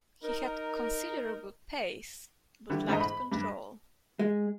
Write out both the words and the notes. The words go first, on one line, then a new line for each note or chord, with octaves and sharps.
He had considerable pace but lacked control.
D#4 A#4
D3 E3 G3
G#2 D3 E3 A4 D#5 A#5
B5
G2
G#3